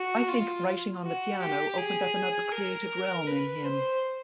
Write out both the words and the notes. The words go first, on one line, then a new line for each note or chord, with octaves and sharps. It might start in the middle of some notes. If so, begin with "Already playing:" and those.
I think writing on the piano opened up another creative realm in him.
Already playing: F#4
F4
F#4
G4
G#4
A#4
B4
C5